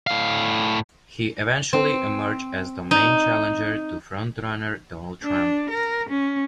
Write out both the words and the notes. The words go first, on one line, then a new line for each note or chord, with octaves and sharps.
He eventually emerged as the main challenger to frontrunner Donald Trump.
A2 F5
C4
D#4
D4
A#4
C#4